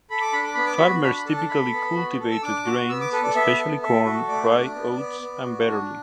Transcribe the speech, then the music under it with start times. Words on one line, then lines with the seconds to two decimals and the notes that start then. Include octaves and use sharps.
Farmers typically cultivated grains, especially corn, rye, oats, and barley.
0.10 A4 B5
0.21 D6
0.33 D4 B5
0.43 D6
0.54 B3 B5
0.66 D6
0.77 F#4 B5
1.03 D4 B5
1.14 B5
1.26 A4 A5
1.38 A5
1.49 A4 B5
1.73 B3
1.96 F#4
2.19 A4
2.31 E6
2.43 D4 D6
2.66 F#4
2.89 B3 E6
3.01 D6
3.12 A4 B4
3.24 D5
3.35 B3 E5
3.59 A4
3.82 A4 E5
4.06 F#4
4.28 A3 D5
4.51 D4
4.75 B3
4.98 B3
5.21 B3
5.45 F#4
5.68 D4